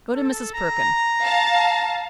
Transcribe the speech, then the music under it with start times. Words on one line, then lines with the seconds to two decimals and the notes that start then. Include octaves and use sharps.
Go to Mrs. Perkin.
0.15 A4
0.54 A#5
1.22 F5 A5